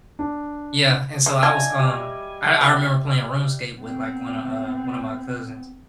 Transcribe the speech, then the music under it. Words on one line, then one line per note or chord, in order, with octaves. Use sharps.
Yeah, and so I was, um I I remember playing RuneScape with, like, one a, uh one of my cousins,
D4
G#3
D4 E4 F4 D#5 G#5
G3
C4 E4
B3 C4